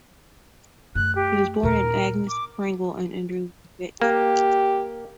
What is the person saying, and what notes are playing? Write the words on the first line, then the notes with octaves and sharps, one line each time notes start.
He was born to Agnes Pringle and Andrew Veitch.
F#2 A3 F#6
G4
D#2 A#2 A#4
D6
A#3 G4